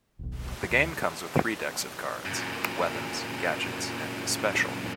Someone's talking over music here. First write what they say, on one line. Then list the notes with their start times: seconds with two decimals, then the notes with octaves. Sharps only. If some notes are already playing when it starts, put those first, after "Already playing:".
The game comes with three decks of cards: "Weapons", "Gadgets" and "Special".
0.19 D#1 B1
0.70 D2
2.26 F#2 A#2